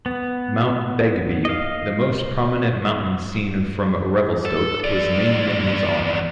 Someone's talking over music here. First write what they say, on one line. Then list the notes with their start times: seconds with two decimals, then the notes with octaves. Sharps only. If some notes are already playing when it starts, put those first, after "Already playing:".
Mount Begbie, the most prominent mountain seen from Revelstoke, was named in his honor.
0.06 B3
1.45 D#5 F5
4.45 A4
4.84 E2 D5